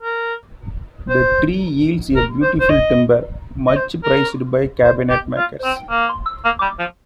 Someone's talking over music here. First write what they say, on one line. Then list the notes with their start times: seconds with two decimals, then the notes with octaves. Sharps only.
The tree yields a beautiful timber much prized by cabinet-makers.
0.02 A#4
1.09 C5
2.16 A#4
2.42 C5
2.60 C5
2.70 D#5
3.67 D#5
3.76 C5
4.04 A#4
4.84 C5
5.10 G4
5.37 F4
5.64 C4
5.90 A#3
6.44 A#3
6.62 G3
6.79 F3